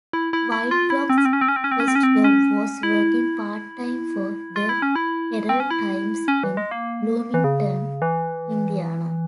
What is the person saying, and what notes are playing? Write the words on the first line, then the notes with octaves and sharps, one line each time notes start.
Whitlock's first job was working part-time for "The Herald-Times" in Bloomington, Indiana.
E4
E4
E4
F4
E4
C4
C#4
C4
C#4
C4
C#4
C4
C#4
C4
C#4
C4
C#4
C4
C#4
E4
F4
E4
C#4
E4
C4
C#4
E4
C#4
E3
G#3
A#3
E3
C#3
E3